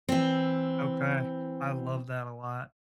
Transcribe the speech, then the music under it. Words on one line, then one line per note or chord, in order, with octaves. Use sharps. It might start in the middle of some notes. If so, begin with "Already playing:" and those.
Okay. I love that a lot.
E3 C4